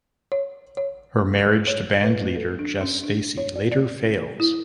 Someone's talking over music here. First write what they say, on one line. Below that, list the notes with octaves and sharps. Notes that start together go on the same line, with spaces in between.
Her marriage to bandleader Jess Stacy later fails.
C#5
C#5
C#5
B4
A4
D4
C#4
D4
C#5
D5
D5
E4